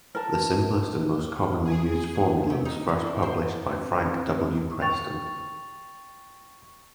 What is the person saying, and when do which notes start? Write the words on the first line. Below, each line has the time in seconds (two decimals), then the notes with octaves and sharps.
The simplest and most commonly used formula was first published by Frank W. Preston.
0.15 A#4 B4 A5
1.65 G#4
2.50 C3
2.65 D#4
2.89 D4
3.07 E4
3.23 C5
3.62 C3 B4
4.82 G5 C#6 A6 F7